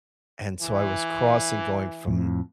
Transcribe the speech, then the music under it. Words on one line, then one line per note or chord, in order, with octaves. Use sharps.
and so I was crossing going from
E3
F2 A2